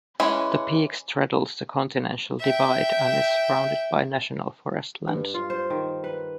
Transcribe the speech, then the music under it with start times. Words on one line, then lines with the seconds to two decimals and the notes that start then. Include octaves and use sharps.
The peak straddles the Continental Divide and is surrounded by National Forest lands.
0.20 E3 G#3 C#4
2.40 E5 G5
5.08 G2
5.34 F4
5.50 C5
5.70 D#3
6.04 B4